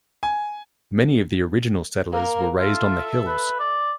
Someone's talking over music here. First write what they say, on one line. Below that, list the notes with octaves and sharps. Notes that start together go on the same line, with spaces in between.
Many of the original settlers were raised on the "hills".
G#5
A#3 A#4
F4 A4 E5
B4
D5